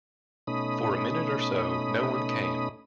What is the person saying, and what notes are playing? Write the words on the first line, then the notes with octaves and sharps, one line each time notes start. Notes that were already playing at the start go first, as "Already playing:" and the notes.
For a minute or so no one came.
B2 A3 C#4 D#4 B5 D#6